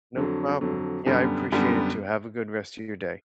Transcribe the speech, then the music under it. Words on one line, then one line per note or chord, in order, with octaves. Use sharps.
No problem, yeah, I appreciate it too. Have a good rest of your day,
F2 D3 F#3
F2 D3 F#3
F#2 D3 G3 B3
F#2 D3 G3 B3